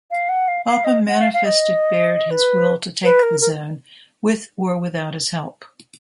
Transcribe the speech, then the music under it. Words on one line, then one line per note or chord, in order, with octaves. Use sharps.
Popham manifested Baird his will to take the zone, with or without his help.
F5
F#5
F5
F5
D#5
F#5
F5
F5
D#5
B4
B4
A#4
A#4